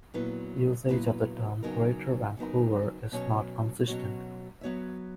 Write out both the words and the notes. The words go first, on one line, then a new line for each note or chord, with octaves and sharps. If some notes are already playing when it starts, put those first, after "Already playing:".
Usage of the term "Greater Vancouver" is not consistent.
A#2 F#3 B3 E4 B4
A#2 F#3 B3 E4 B4
C#3 F#3 B3 D#4 A#4
C#3 F#3 B3 D#4 A#4
B2 F#3 C#4 F#4 C#5
B2 F#3 C#4 F#4 C#5
F#3 B3 F#4 C#5 E5